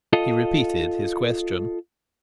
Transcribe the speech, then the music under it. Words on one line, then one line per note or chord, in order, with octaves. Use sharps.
He repeated his question.
F4 A4 D#5